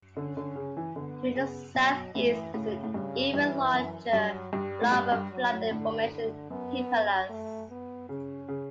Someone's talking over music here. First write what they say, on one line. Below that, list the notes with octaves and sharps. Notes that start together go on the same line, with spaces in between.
To the southeast is an even larger lava-flooded formation, Hippalus.
D3 C#4
D3
C#3
E3
D3 B3
C#3
B2 F#3
A2 E3
A2 C#3
A2
G2 C#3
G2 E3
F#2
G2 F#3
G2 G3
A2
G2 G3
G2
F#3
A2
A2 D3
D3
F#2 B3
A3
B3
C#3 C#4
C#3